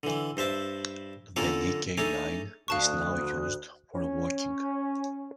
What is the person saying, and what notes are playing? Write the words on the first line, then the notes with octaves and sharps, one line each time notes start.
The Nickey Line is now used for walking.
D3 E3
G2 C5 E5 A5
D3 A#3 C#4 F4 A4 A#4
A3 D4 D#4 G#4 C#5
D2 F#4 F5 A5 C#6 D#6 F#6
C#4